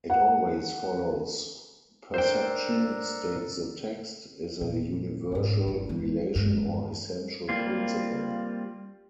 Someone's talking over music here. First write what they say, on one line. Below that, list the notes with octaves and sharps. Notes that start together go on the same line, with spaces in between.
It always follows perception, states the text, is a universal relation or essential principle.
F#5
D4 A4 A#4 C5 G5
A#2
G#2 C4
G1 D2
E3 G#3
G2 G#3
G3 A#3 C4 F4